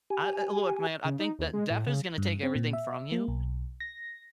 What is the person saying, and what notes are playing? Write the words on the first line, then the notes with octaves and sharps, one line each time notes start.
I l l look, man, I think that death is gonna take everything from you,
G4 G#5
C#3
D#4
D#2
G#3
A2
C#3
G2
C4
A#2
E5
A#3
B1
A#6